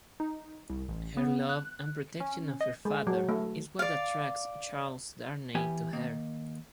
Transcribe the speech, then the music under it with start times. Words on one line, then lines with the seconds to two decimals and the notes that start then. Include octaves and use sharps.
Her love and protection of her father is what attracts Charles Darnay to her.
0.20 D#4
0.70 C2
0.89 A1
1.17 B3
1.49 F#6
2.20 C#4
2.61 D#5
2.85 G#3
3.07 F#3
3.29 A3
3.79 D5 F5
5.55 E3 B3 G4 G#5
5.93 D#3 A#3